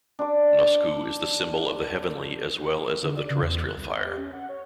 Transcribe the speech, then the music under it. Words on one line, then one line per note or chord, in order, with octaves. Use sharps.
Nusku is the symbol of the heavenly as well as of the terrestrial fire.
D4 D6
D3
D5
C#3
E2
F#6
C2
B3
G4
C#4
F#5
C#5